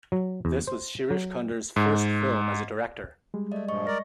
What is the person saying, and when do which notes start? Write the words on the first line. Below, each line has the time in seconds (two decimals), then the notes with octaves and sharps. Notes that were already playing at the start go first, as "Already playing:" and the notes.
This was Shirish Kunder's first film as a director.
0.12 F#3
0.45 E2
0.67 C5
1.10 F#3
1.76 G#2
3.34 G3 G#3
3.52 A3 D5 D#5
3.68 G2 A#2 F3 D5 D#5 C#6
3.87 A#4 D5 A#6